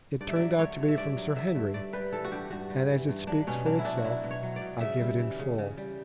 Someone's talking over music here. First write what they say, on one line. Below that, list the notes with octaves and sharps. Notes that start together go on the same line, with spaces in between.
It turned out to be from Sir Henry, and as it speaks for itself I give it in full.
G2 D5
E5
F#3 D5
D3 C#5
G2
E5
G2 D5
F#3
D3 E5
G2
G2 D5
G3 B4
E3 A4
F#4
G2 G4
G2 F#4
G3
E3
G2
F#3 D4
B2 C#4
F#3 D4
E4
B2 D4
F#4
F#3 E4
B2
C#5
F#3
D5
B2
C#3 E5
G3
E3
C#3
C#3
G3